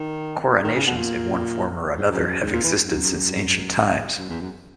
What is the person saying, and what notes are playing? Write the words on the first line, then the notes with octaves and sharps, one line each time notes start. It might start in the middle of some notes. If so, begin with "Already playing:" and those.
Coronations, in one form or another, have existed since ancient times.
Already playing: D#3
D#3
C#3
B2
A#2
G#2
F#2
F#2
G#2
A#2
E3
F#2
F#2
E2
F#2